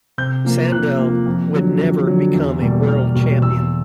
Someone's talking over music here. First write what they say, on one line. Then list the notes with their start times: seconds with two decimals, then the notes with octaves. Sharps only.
Sandel would never become a world champion.
0.18 C3 G6
0.45 F3 A#3
0.72 C3 F#6
0.99 F3 A#3
1.26 F2
1.53 D3 F#3
1.80 F2
2.07 D3 F#3
2.34 E2
2.61 B2 G3 A#3
2.88 E2 F6
3.15 B2 G3 A#3
3.42 E2 E6